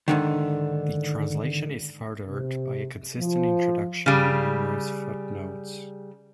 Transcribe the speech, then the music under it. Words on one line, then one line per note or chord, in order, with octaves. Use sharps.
The translation is furthered by a consistent introduction and numerous footnotes.
G#2 D3 D#3
C3
F3
C#3 G3